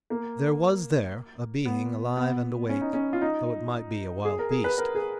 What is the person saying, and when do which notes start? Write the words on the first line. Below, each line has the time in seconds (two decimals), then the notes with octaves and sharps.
There was there a being alive and awake, though it might be a wild beast.
0.10 A#3
1.65 B3
2.17 B3
2.69 C#4
2.81 D#4
2.93 C#4
3.13 F4
3.21 D#4
4.25 G#4
4.39 A#4
4.51 G#4
4.64 B4
4.78 A#4
4.95 G#4